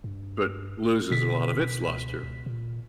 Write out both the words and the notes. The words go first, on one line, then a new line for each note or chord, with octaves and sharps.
but loses a lot of its luster.
G2
B2 D3 B6
C#2
C#2
A#2